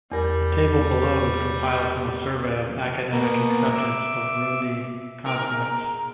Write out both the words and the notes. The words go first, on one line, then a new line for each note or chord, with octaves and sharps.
The table below is compiled from a survey of academic acceptance of Rundi consonants.
E2 G3 A#4
B2 A#3
E5 D6
G#2 A#4